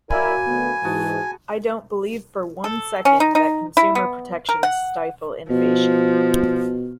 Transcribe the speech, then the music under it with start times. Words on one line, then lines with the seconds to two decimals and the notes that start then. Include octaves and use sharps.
I don't believe for one second that consumer protections stifle innovation.
0.10 F#3 A#3 E4 A#4 D5 G#5 B5
0.46 D2 B3
0.84 G#2 E3 F#4 G#4 A5
2.64 A4
3.05 C#4
3.20 D#4
3.35 D#4
3.77 E4
3.95 B3
4.49 A#4
4.63 F#5
5.50 B2 F3